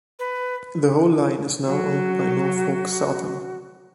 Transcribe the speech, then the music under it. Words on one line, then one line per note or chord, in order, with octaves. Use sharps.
The whole line is now owned by Norfolk Southern.
B4
F#3 F#4